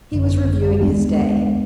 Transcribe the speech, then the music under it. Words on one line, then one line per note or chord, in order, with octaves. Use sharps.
He was reviewing his day.
G#1 F#2 D3
D#2 D#3 G#3 B3 D4